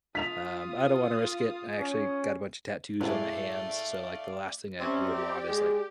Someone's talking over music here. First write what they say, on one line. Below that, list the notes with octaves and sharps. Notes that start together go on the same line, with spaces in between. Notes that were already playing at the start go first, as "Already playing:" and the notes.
um, I don't wanna risk it. I actually got a bunch of tattoos on my hands, so, like, the last thing I would want is, like,
F4 D#6 B6 F7
C#4
A2 G#3 A3 E4 D5 F5
C3 C4 C#4 D5
G4
G#3 G#4